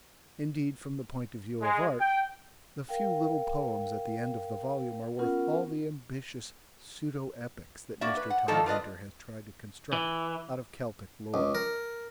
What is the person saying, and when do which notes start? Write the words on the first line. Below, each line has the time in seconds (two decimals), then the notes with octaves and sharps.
Indeed, from the point of view of art, the few little poems at the end of the volume are worth all the ambitious pseudo-epics that Mr. Todhunter has tried to construct out of Celtic lore.
1.62 G#3
2.00 G5
2.89 A#4 F5 G5
5.18 B3 C#4 F4 A#4 F#5
8.01 A#3 F#4 D5 E5
8.17 B4
8.30 F#5
8.48 D#3 F3 D#4 F4 A4 D5
8.66 F4 B4 D5 D#5
9.93 E3
11.34 C#2
11.55 A#4